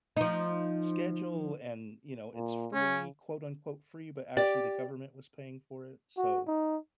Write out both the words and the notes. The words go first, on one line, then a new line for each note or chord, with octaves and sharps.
schedule, and, you know, it's free, quote unquote "Free," but actually the government was paying for it, so,
F3 D#4
A#2
C#3 C#4
G4 D5
F#4
D#4